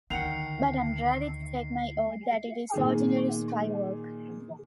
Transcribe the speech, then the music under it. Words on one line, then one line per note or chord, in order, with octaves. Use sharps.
But I am ready to take my oath that it is ordinary spy work.
D2 D#3 A#4 F#5 G5 C7 C#7 F7
A#2 D#3 G#4